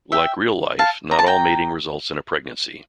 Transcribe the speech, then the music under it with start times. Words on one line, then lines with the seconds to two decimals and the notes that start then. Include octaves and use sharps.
Like real life, not all mating results in a pregnancy.
0.12 E5 G5
0.79 F5 A5
1.11 A#5
1.19 A5
1.26 G5 A#5